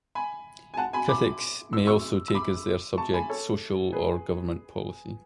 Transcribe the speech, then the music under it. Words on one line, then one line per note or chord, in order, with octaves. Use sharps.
Critics may also take as their subject social or government policy.
G#5 B5
G#5
F#5 A5
G#5 B5
B5 D6
E6
C#6 E6
E6
B5 D6
A5 C#6
G#5 B5
A4 C#5
G#4 B4